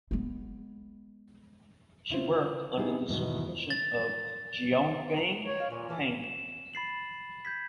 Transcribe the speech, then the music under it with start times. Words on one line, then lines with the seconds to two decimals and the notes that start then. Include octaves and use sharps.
She worked under the supervision of Xiaogang Peng.
0.11 G#3 B3
2.10 C#3 E4 F4 C5
2.77 B3 C4 D#4 E4 G4 G#4
3.08 E2 G#2 B2 D#3
3.70 A6
5.15 D4 B4 A#5
5.45 C#5
5.57 D#5 F5
5.70 A#2 B4 C#5 G#5
5.89 E3 F4 A4 B4
6.24 E7
6.74 B5 A6 C7 F#7
7.45 G6 G#6 B6